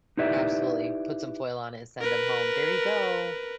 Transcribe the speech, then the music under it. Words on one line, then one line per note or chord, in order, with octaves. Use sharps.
Absolutely. Put some foil on it and send them home. There you go.
D#4 E4 G4 B4 D5 E5
A#4 B4